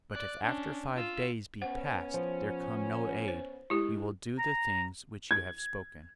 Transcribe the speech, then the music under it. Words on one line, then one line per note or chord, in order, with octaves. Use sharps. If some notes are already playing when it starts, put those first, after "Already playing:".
But if after five days be past there come no aid, we will do the things which you have spoken.
D5 F#6
C#4 D4
F4 E6
B3 C#4 C5 F#5
F3
C5
G#3 E4 G4
A#5
G#6